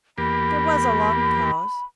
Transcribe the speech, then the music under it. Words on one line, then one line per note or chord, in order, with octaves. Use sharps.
There was a long pause.
E2 A#3 G4 B5